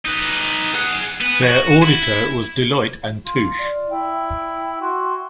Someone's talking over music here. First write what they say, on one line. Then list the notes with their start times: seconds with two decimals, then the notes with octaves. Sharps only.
Their auditor was Deloitte and Touche.
0.05 D#4 B4
0.74 G#4 F#5
1.21 B3 B4
1.43 F#4
1.82 E4
3.26 F4
3.59 D5
3.90 E4 G5
4.81 F#4 C6